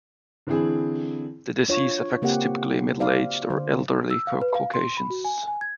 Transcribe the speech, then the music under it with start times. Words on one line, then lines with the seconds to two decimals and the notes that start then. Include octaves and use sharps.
The disease affects typically middle-aged or elderly caucasians.
0.47 D3 E3 C4 E4 G#4
1.69 D4 F4 C#5
2.22 C#3 A#3 C4 G4 F#5
3.00 C5 D5 F5
3.50 D3 C5
4.10 E6
4.27 F5
4.41 B4
4.55 F5
4.74 C6
4.97 B5
5.10 F#4
5.25 G#5
5.47 G#5
5.61 G#6